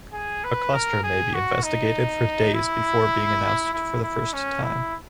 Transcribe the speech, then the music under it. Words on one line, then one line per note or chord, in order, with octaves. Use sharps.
A cluster may be investigated for days before being announced for the first time.
G#4
B4
A#4
G#4
F#4
D#4
E4
E4
E4
C#4
E4